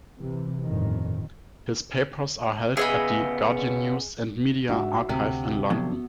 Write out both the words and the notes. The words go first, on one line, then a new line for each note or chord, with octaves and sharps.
His papers are held at the Guardian News and Media Archive in London.
C3 E3
G1 F2 A2 D#3
C#3 B3 G#4 D#5 E5 B5
G#2 G#3 D4 F#4 E5
D2 C3
D3 F3 F#3 B3